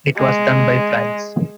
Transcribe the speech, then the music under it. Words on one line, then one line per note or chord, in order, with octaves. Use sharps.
It was done by France.
G#3